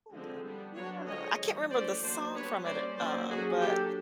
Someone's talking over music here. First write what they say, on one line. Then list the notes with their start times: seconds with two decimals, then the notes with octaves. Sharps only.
Yeah, yeah, I can’t remember the song from it uh, but
0.12 D3 F3 G#3 C4
0.44 G3 B3 D4
0.75 F#3 B3 D4 B4 C#5
1.07 D3 F3 G#3 C#5 D#5
1.39 E3 G3 A#3
1.70 E3 A3 C#4 C5 D5
2.02 F#3 A#3 D4 C5 D5
2.34 G3 B3 D4 B4 C#5
2.65 G3 A#3 C#4 C5 D5
2.97 D#3 F#3 A#3 C#4 C5 D5
3.28 F#3 A#3 C#4 F#4 G#4
3.60 F#3 A#3 D4 G4 A4